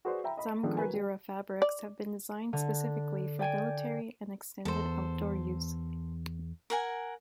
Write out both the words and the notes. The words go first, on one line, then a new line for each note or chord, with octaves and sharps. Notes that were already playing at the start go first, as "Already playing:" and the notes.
Some Cordura fabrics have been designed specifically for military and extended outdoor use.
F#4 G#4 B4 C5 D5
E5 G5 A#5 B5
D#5 B5
D#3 F3 G#3 B3 D4 A4
F#4 A#4 B4 G#5
G3
D5
D3
D5 G5 G#5
E2 A4 C5
A#4 F#5 G#5